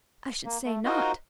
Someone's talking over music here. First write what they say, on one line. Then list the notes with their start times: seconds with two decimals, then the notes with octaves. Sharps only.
I should say not!
0.45 A#3
0.65 A3
0.85 D#4 F4 F#4 A#4 C5 D#5